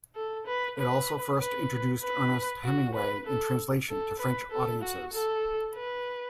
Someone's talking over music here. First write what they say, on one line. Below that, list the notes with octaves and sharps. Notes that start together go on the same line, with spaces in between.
It also first introduced Ernest Hemingway in translation to French audiences.
A4
B4
B4
B4
B4
F#4
B4
A4
A4
B4
A4
F#4
A4
B4